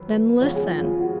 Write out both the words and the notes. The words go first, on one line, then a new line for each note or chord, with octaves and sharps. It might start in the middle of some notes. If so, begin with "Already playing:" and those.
"Then, listen!"
Already playing: F#2 D#3 F#3 B4
D#2 C#3 F3 G#3 B3 C#5
G#4
F4
F4
F#4